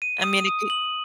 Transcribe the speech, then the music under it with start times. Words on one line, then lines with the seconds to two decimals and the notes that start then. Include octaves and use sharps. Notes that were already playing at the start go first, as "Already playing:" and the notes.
I mean, it could
0.02 D#7
0.24 D#6
0.47 D#6
0.70 F#7